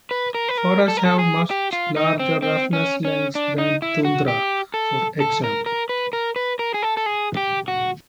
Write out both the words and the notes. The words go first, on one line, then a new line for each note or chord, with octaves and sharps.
Forests have much larger roughness lengths than tundra, for example.
B4
A#4
B4
A#4
A4
A#4
A4
G#4
G4
F4
D#4
C4
C4
C#4
C#4
D4
D#4
E4
F#4
G4
A4
A4
A#4
A#4
B4
A#4
B4
A#4
G#4
A4
A4
G#4
G4
F#4